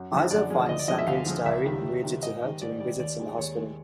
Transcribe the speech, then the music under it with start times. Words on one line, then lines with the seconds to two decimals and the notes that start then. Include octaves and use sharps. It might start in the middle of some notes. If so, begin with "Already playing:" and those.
Isa finds Sandrine's diary and reads it to her during visits in the hospital.
Already playing: F#2
0.12 D3 F3 G#3
0.31 F#2 D5
0.50 D3 F3 G#3
0.69 D2 D#5
0.79 D5
0.88 D3 F3 G#3 D#5
0.98 E5
1.07 D2 F5
1.26 D3 F3 G#3
1.46 C#2 E5
1.65 C3 D#3 G3
1.84 C#2
2.03 C3 D#3 G3
2.23 G#2 D#5
2.42 D#3 G3
2.61 G#2 D5
2.80 D#3 G3 D5
2.99 D#2 D5
3.19 D#3 G#3
3.38 D#2 C#5
3.57 D#3 G#3